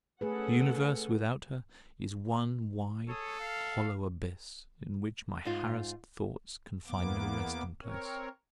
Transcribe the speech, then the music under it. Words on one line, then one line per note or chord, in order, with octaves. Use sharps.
The universe without her is one wide, hollow abyss, in which my harassed thoughts can find no resting-place.
A3 C#4 G#4 A4 B4 F#5
G#4 A4 C#5 D#6
F5
G#2 D#4 F4
E2 A#3 B3 D6
C4 A#4 C#5